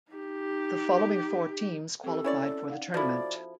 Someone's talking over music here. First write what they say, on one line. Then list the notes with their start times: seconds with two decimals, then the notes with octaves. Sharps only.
The following four teams qualified for the tournament.
0.12 D#4 G4
2.04 C4 G4 A4
2.24 C#4 E4 C#5 D5
2.68 D#4 F5 F#5
2.94 F3 E4 F#4 A4 D5